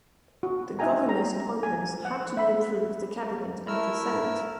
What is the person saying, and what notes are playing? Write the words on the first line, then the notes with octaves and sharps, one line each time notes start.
The Governor's appointments had to be approved the Cabinet and the Senate.
F#4
D#4 D#5 E5 G5 G#5 A#5
A#5
G#5
F#5
E5 B5
A3 E4 A#4 E6 F6